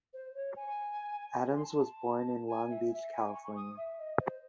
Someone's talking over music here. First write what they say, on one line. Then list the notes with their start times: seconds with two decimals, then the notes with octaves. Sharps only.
Adams was born in Long Beach, California.
0.13 C5
0.34 C#5
0.56 G#5
1.55 C6
1.63 A5
1.84 A5
2.48 G#5
2.70 E5
2.91 E5
3.12 G#5
3.33 C#6
3.55 D#6
3.77 E5
3.98 D#5
4.20 C5